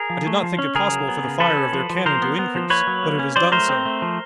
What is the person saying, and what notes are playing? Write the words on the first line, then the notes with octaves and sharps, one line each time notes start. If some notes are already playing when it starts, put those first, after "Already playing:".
I did not think it possible for the fire of their cannon to increase, but it has done so.
Already playing: G#4 A#4
F3
A3
F3
C#4
C#3 G#4 A#4
F#3
B3
C#3
F3 A4 B4
C#4
F3
F3
F3 A#4 C5
B3
B3
F3
A#3 B4 C#5
F#3
A#3
C#4
F#3 C5 D5
A3 A#4 C5
C4
A3
F3